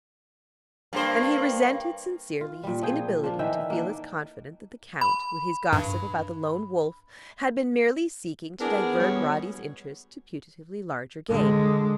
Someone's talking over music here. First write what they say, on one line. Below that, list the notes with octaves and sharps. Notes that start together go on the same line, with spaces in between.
And he resented sincerely his inability to feel as confident that the Count, with his gossip about the Lone Wolf, had been merely seeking to divert Roddy's interest to putatively larger game.
G2 A#3 C5
F4
A#2 G3
F3 G#4 G5
F3 D4
D#3 E3 E5 G5
A#3 D4
B5
G2
B3 D4 E4 G#4 A#4
D2 B2 G3 C#5
D3 G#3